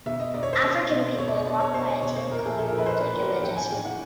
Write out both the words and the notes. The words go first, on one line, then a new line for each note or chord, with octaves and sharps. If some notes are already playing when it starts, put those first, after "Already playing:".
African people walk by a teal colored building in the desert.
B2 E5
D#5
B2 D5
C#5
C5
B2
B2
B2 C#5
D5
D#5
B2 D5
C#5
B2 C5
C#5
B2 C#5
C5
A#2 A#4
F3 G#4
A#2 A4
A#4
F3
B4
A#2 C5
F3 B4
A#2 A#4
F3 D5
A2 G5
E3 G#5
A2 G5
E3 F#5